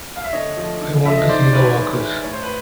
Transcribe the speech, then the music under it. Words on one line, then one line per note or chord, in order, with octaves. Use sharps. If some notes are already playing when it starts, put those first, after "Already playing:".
I want to see the workers.
F5
E5
D3 C#5 D#5
F3 A3
D3
F3 A3 E5
D#5
D#3 C5 D5
D5
G#3 C#4 E4 B4 C#5
D#3
G#3 C#4 E4
A2 C#5
C5
B4